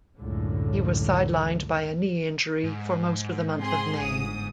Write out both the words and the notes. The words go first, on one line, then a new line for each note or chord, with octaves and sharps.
He was sidelined by a knee injury for most of the month of May.
C#2 F#2 A2 D3
G#2
C4 G#4 C6
G1 D#6